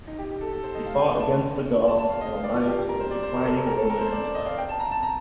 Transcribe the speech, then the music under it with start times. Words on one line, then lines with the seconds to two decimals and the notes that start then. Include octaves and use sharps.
He fought against the Goths in alliance with the declining Roman Empire.
0.07 D#4
0.18 G4
0.30 G4
0.41 A4
0.53 A4
0.64 C5
0.75 D#5
0.86 F5
0.97 G5
1.20 A5
1.87 A5
1.98 A5
2.10 F5
2.21 D#5
2.33 F5
2.44 D5
2.54 F4
2.66 G4
2.77 G4
2.89 A#4
3.00 C5
3.11 D5
3.23 C5
3.34 A#4
3.45 A4
3.57 A#4
3.67 A#4
3.79 A4
3.90 A#4
4.01 C5
4.12 D5
4.25 D5
4.35 D#5
4.46 F5
4.58 G5
4.69 A5
4.80 A#5
4.91 A5
5.03 A#5